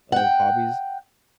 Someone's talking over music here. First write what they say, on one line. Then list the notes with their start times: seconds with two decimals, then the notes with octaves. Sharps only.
of hobbies.
0.12 F#5 G5